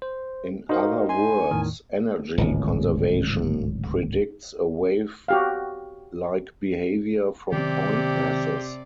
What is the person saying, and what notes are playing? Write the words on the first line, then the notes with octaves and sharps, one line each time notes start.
In other words, energy conservation predicts a wave-like behavior from point-masses.
C5
D#4 F#4 A#4 C5 F5
G#5 C6
E2 A2 D#3
D1 G#1 C#2
F#4 G4 F5
C3 D#3 F#3 C#4 G4 D5